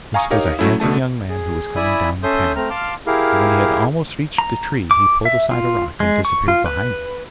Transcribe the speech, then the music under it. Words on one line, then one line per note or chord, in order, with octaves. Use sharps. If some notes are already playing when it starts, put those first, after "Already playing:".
This was a handsome young man who was coming down the path; and when he had almost reached the tree he pulled aside a rock and disappeared behind it.
F5 G#5 A#5 C#6 D#6
D#4 G4 A#4 C#5 F5
F#3 A3 C#4 E4
B2 D3 A3 A5
G#4
E4 D5 E5 G#5 B5 D#6
C#4 A4 E5 C6 D#6 G6
A3 C4 A#5 F6
F5 A5 C6 D6 F6
E4 G4 G#4 A#4 F5
A#5
D6
E5
F4
G#3
C#6
F4
B4